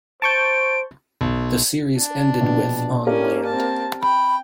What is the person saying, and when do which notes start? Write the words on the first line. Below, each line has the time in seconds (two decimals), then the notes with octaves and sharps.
The series ended with "On Land".
0.22 C5 A5 C#6 G6 D7
1.21 B1
1.97 D4
2.41 A#1 B2
3.07 A#3 C#4 G4 A#4 D5
3.45 C4 A5
4.02 G5 B5